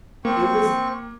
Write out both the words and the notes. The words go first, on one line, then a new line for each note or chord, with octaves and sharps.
It was
A#3 C4 C#6